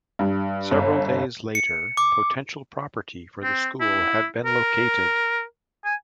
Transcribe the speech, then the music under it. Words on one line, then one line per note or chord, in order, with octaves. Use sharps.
Several days later, potential property for the school had been located.
G2
G1
C#7
D6
C4
E4
A#4
G#5